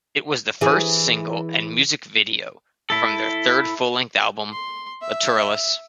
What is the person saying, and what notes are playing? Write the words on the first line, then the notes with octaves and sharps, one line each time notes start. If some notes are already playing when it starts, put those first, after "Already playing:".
It was the first single and music video from their third full-length album, "Lateralus".
E3 G#4
E4 A4
C6
E5